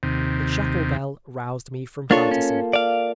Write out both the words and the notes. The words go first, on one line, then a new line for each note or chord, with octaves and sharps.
The chapel-bell roused me from phantasy.
D#2 C3
A#3 D4 F4 A4 C#5
C#4
D5 F5